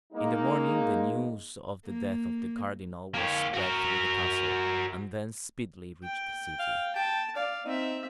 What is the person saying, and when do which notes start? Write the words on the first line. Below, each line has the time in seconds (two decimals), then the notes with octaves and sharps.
In the morning, the news of the death of the cardinal was spread through the castle, and thence speedily reached the city.
0.13 G#3 A#3 D#4
1.86 A#3
3.14 A#3 C#5
3.53 F#4 A#4
6.04 G5
6.59 F5
6.96 G5 A5
7.36 D5 F5
7.65 C4 D#4 E5